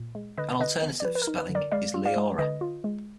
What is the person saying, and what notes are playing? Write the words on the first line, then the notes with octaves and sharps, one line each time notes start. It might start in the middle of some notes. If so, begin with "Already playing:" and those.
An alternative spelling is Liora.
Already playing: A#2
G#3
D3 B4 D#5
D3 B4 D#5
B3
D5
F3 B4
B4
A#4
D#4
B4
D3
A#4 D5
G#3 D5 F5
F4
D5 F5
G#3
D3 B4 D#5
F4
G#3